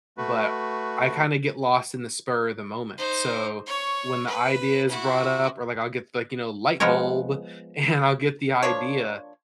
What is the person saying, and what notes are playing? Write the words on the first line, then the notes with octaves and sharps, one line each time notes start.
But I kinda get lost in the spur of the moment. So, when the idea is brought up, or like I'll get like, you know, light bulb, and I'll get the idea,
A3 F#4 B4
D#4 C5
C#5 C#6
B4
E4 F#4
F3 G#3 B3 A#4 C#5
F3 A#3 D4 C#5